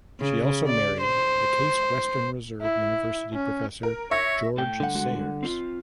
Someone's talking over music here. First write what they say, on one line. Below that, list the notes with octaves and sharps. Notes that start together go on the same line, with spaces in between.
She also married the Case Western Reserve University Professor George Sayers.
C#3
D5
C5
E4
C#4
A#4
C#5 E5 C#6 A#6
A2 A4 G5
D3 G3 F#5
G#3 F#4
C4 F4